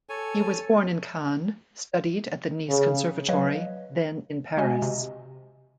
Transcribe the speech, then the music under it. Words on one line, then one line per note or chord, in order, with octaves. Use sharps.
He was born in Cannes, studied at the Nice Conservatory, then in Paris.
A4 C#5 G#5
C#3
F#3 B4 C#5 D#5 F5
G#3 F#4 D#5 G#5
C3